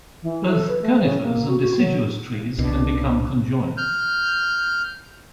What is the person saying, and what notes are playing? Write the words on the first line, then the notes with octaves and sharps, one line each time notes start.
Both conifers and deciduous trees can become conjoined.
E3
A4
B4
A3
C#3
A#3
F#4
F#4
F#3
C2 B2 D4
F6 G6